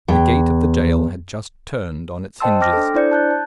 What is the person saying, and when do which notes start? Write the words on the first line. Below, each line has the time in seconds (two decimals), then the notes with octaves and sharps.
The gate of the jail had just turned on its hinges.
0.08 E2 G5
2.40 C5 D#5 G5 A5 C6 E6
2.61 G5 C6 D6 F6 A#6
2.73 D4 A4
2.94 D4 E4 C5 D5 G6 C#7
3.11 A5 F#6 G6 A6
3.31 A5